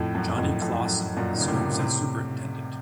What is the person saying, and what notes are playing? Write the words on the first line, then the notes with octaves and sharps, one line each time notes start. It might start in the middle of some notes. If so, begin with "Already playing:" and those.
Johnny Clawson serves as Superintendent.
Already playing: F2 A2
F#2
F2 A2
F2 A2
A2
F#2
F#2 A#2
D#3
C#3
A2 C3
A2 C3